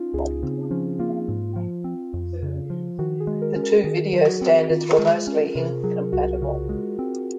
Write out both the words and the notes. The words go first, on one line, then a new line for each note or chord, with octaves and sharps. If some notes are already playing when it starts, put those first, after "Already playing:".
The two video standards were mostly incompatible.
Already playing: C#4 D#4 F4
C#2 G#4
C#3 C4
F3 C#4
A#3 F4
G#2
F3
C4
F2
C#3
F3
D#3 F#4
G#4
G#3
A#4
C#4
A#4
D#3 G#4
F#3
F#4
C4
D#3 F4
G#4
G#3
C#4
A#4
C3 A#4
F#3 G#4
C2 F#4
C#3
G#3
C4